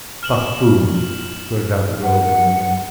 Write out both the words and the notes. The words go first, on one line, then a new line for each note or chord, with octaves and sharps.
"Buffoon!" blurted out the girl at the window.
F6 E7 F#7
F#5